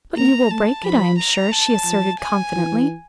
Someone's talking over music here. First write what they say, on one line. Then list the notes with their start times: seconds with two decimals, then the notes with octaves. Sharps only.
"But you will break it, I am sure," she asserted confidently.
0.17 A#3 A#5
0.50 A3 A5
0.84 F3 B5
1.18 A#5
1.52 A5
1.85 F3
2.20 G#5
2.53 E3